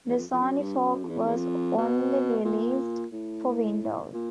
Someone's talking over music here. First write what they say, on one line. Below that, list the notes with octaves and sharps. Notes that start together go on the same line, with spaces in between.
The Sony fork was only released for Windows.
E2
F2
F2
F#2
G2
F#2
F2
E2
F2
E2
F2
B2
A#2
A2
A#2